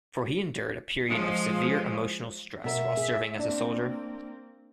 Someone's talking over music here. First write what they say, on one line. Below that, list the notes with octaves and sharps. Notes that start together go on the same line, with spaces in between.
For he endured a period of severe emotional stress while serving as a soldier.
F3 G#3
B2 A#4 C#5 E5
G#4
A#3 C4 D4